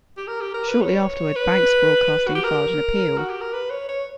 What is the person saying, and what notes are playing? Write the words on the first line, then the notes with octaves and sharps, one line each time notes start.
Shortly afterward, Banks Broadcasting filed an appeal.
G4
A#4
G4
A#4
B4
C#5
B4
F#4
G4
A#4
F#4
G4
A#4
B4
C#5
C#5